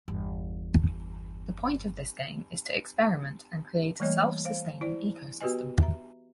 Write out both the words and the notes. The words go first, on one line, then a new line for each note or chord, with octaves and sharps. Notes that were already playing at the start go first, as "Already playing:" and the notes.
The point of this game is to experiment and create a self-sustaining ecosystem.
G1 E2
E3 G3 A3 A#3 C#5 D#5
C5 F5
E4 C5 D5
B3 F#4 G4 B4 D#5 G#5
E5 A#5